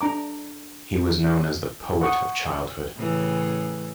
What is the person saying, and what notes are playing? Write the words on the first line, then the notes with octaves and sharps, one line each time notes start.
He was known as the poet of childhood.
D4 A#5 D6
F#5 C#6 D#6
A2 C#3 E3